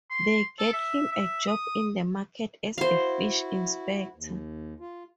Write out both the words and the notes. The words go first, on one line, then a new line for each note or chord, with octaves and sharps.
They get him a job in the market as a fish inspector.
C6
A4
E5
E5
D#6
E4 F#4 C5 F5
D#2
F4